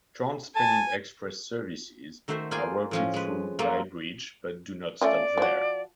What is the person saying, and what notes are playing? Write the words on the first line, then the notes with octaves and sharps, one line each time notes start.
TransPennine Express services are routed through Guide Bridge but do not stop there.
G#5 A5
D#3 A3 F#4 C5 E5
A#3 F4 G#4 D5 G5 G#5
A2 F3 C#4
G#3 B4
F3 F#3 A3 A#3 F4
A3 C#4 F4 D5
F3 F#4